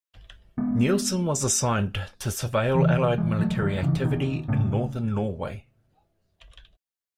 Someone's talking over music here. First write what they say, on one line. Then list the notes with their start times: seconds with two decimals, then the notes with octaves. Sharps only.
Nilsen was assigned to surveil allied military activity in northern Norway.
0.58 G#3 B3
2.75 C#3 E3
3.18 E3 G#3
3.39 F#3 A3
3.62 D#3 F#3
3.83 C#3 E3
4.05 B2 D#3
4.48 A2 C#3